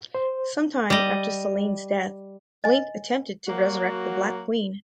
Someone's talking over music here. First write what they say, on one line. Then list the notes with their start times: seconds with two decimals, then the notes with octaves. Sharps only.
Sometime after Selene's death, Blink attempted to resurrect the Black Queen.
0.15 C5
0.90 G3 D#5
2.64 D#5 G#5
3.48 F#3 A#3 F#4